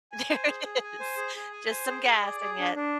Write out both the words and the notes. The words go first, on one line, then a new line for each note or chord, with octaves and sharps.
There it is. Just some gas and yet
G#5
C5
G#4
G#4
G#5
C5
G#4
G#4
G#5
C5
G#4
G#4
D5
G#4
D4
D4